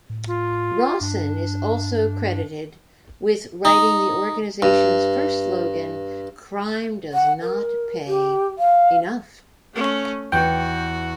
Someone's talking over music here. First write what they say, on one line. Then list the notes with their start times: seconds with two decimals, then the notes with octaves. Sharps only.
Rawson is also credited with writing the organization's first slogan: "Crime Does Not Pay-Enough".
0.10 A2
0.28 F4
1.01 G2 D4
3.65 D#4
4.62 G2
7.13 F#5
7.42 A#4
8.07 G4
8.58 F5
9.74 A3 C#4
10.32 E2 F#4 G5 C#7